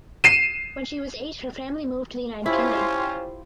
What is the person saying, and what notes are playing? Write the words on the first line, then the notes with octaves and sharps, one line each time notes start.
When she was eight her family moved to United Kingdom.
C7 D#7 E7
C#4 E4 F4 G4 C5